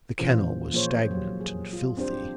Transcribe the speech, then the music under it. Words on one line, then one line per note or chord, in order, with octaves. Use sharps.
The kennel was stagnant and filthy.
A#2 E3 C#4 F4 C5
F3 A#3 F4 G#4 C5 C#5
F#3 G4
G#4
F4
C4 D4 G4 C5